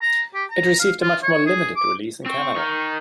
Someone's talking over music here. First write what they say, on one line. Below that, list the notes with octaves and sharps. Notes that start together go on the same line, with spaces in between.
It received a much more limited release in Canada.
A#5
G4
A#5
F5
F4
C#5
G#4
D6
C4 C#6
D#3 D#4